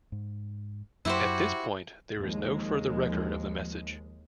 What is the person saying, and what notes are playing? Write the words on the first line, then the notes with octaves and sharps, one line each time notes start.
At this point there is no further record of the message.
G#2
F#2 F#3 E4 F#4 G4 C5
D#2 F3 G#3